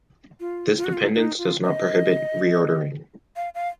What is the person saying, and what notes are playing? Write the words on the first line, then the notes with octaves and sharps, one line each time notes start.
This dependence does not prohibit reordering.
F4
F4
F#4
F4
D#4
F4
D#5
F5
F5